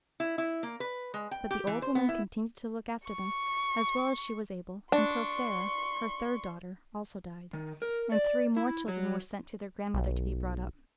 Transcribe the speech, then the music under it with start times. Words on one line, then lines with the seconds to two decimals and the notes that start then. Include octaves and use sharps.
But the old woman continued to look after them, as well as she was able, until Sarah, her third daughter, also died, and three more children were sent to their grandmother to be brought up.
0.20 E4
0.38 E4
0.63 A#3
0.80 B4
1.14 G#3
1.31 G5
1.51 G4
1.67 E3
1.82 C5
1.95 B3
2.09 E4
3.08 C#6
4.92 D4 C6 C#6
7.53 D#3
7.82 A#4
8.12 D5
8.57 E4
8.88 F#3
9.94 B1